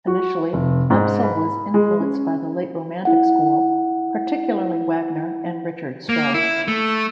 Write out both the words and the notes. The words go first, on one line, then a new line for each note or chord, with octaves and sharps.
Initially, Absil was influenced by the late Romantic school, particularly Wagner and Richard Strauss.
F#4
F1
G#2
B5
G#3
C#4
E4 F#5
A#3
E4
A3